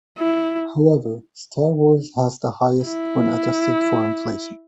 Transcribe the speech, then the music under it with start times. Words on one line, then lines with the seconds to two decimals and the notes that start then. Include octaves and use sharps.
However, "Star Wars" has the highest when adjusted for inflation.
0.18 E4
2.85 E4